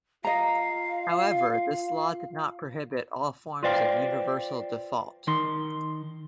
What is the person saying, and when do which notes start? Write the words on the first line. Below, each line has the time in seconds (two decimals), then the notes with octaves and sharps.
However, this law did not prohibit all forms of universal default.
0.25 F4 D#5 F5 A#5
3.63 F4 B4 C5 D5 F5 G5
5.27 D#3 D#4 C6